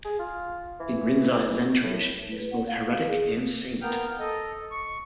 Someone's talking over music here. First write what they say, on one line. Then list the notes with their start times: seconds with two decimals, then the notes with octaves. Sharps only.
In Rinzai Zen tradition, he is both heretic and saint.
0.05 G#4
0.19 F4
0.80 E3
1.83 A2
2.32 B4
2.51 F#5
2.67 F5
3.08 G#4
3.82 A#3 B3 G5 F6 G6
4.19 A4 D#5
4.71 C#6